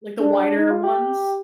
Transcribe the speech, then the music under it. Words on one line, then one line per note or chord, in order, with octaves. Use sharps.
Like the wider ones
D4
D#4
F4
G4